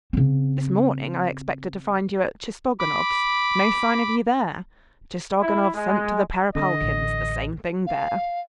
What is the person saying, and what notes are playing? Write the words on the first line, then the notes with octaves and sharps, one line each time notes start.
This morning I expected to find you at Tchistoganov's--no sign of you there. Tchistoganov sent to the Perepalkins'--the same thing there.
C#3 C4
B5 D6
E4
G#3
D3 D#5
A1
F5